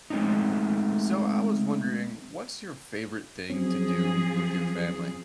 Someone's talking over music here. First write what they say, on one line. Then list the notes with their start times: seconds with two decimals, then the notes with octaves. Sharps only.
So I was wondering, what's your favorite thing to do with your family?
0.10 G#3 A3 C4 C#4 D#4
3.50 F3 F#3 C4 C#4 G#4